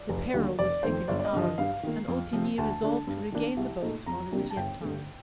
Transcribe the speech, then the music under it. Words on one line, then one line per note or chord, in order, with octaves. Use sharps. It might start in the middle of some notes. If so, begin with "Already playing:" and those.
The peril was thickening hourly, and Ottigny resolved to regain the boats while there was yet time.
Already playing: D5
F1
D#2 D3 G3 A#3
F1 D5
F2 D#3 A3 C5
G1 D5
D5
D#5
G2 D3 F3
D#5
G2 F5
D#3 A#3
F2
C3 F3 C4
D2 A5
D3 A3 D4
G2
D#3 A#3 D4
C2
A#2 A3 D#4
F2 A#5
C3 G3 A#3 D4
A5
G1 G5
G2 D3 A3